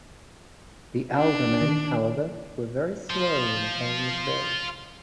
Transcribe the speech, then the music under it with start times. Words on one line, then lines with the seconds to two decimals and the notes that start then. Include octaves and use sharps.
The Aldermen however were very slow in paying his bill.
1.16 D4
1.61 D#3
3.10 F4 C5